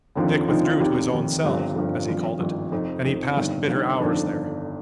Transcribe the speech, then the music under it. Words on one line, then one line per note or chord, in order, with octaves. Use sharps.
Dick withdrew to his own cell, as he called it, and he passed bitter hours there.
F1 D#2 D3 F3
F1 D#2 D3 F3 D#4
F4
F1 D#2 D#3 G4
F1 D#2 D#3
G1 G2 F3 G4
G1 G2 F3
G#1 G2 F3 F4
G#1 G2 F3
F1 F2 D#3 D#4
F1 F2 D#3
G1 G2 D#3
G1 G2 D#3
G1 F2 D#3 D4